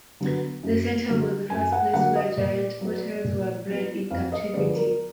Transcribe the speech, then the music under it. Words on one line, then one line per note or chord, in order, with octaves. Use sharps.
The centre was the first place where giant otters were bred in captivity.
D3 F#3 B3
F#2
D3 F#3 A#3
F#2 G#5
F#5
D3 F#3 A#3 F#5
D#5
A#2 D5
F#3 B3
A#2
F#3 B3
F2 F5
D#5
D3 F3 G#3 B3 D5
A#4